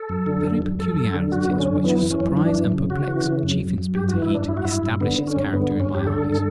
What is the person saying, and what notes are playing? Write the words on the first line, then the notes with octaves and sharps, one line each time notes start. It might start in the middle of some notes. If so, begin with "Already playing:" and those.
The very peculiarities which surprise and perplex Chief Inspector Heat establish its character in my eyes.
Already playing: A4
F#2
D3
F#2
F#2
F#2 A4
F#2
D3
F#2 F#4
D3 B3
C#4
F#2
E3 B3
E3
C#4
F#2
E3 D4
F#2
C#3
C#3 F#4
E3
C#3
F#2
F#2
F#2
G2 G4
F#4
E3
E4
G2 D4
G2 E4
F#4
G2 E4
G2
D3 B3
D3
C#4
G2
D3 B3
G2
C#4
G2
G4
D3 A4
G2
A4